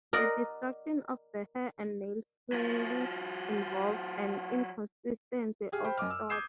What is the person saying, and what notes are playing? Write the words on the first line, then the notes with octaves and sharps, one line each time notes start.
The destruction of the hair and nails plainly involves an inconsistency of thought.
A#4 D5 D#5 F#5
F#3 F4
G4 G#4 F6
C5 G5 B5
F#2 D#5 D6 F6
E6
D6 D#6 G6 G#6 C7 E7